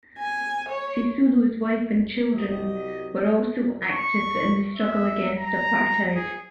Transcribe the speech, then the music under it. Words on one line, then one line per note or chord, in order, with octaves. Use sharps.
Sisulu's wife and children were also active in the struggle against apartheid.
G#5
C#5
C2 F#3 G4 D#5
C#6
E5
A#5
G#4